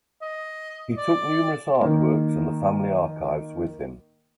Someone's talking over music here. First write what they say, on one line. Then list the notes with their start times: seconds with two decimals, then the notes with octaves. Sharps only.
He took numerous art works and the family archives with him.
0.22 D#5
0.97 D5
1.82 D#3 A#3